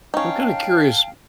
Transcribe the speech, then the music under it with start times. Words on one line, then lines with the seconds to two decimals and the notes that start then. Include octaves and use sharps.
I'm kinda curious.
0.14 C#4 D#4 F5 G5 A5